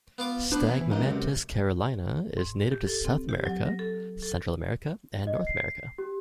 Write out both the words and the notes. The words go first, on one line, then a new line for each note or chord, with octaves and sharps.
"Stagmomantis carolina" is native to South America, Central America and North America.
B3 F4 D6
B3 D4 B4 C5
E3
C#2 F#2 D#4
C3
G#2
G4
A4
C4
G4
F#3
A#6
A4
A4
D#5
C7
G4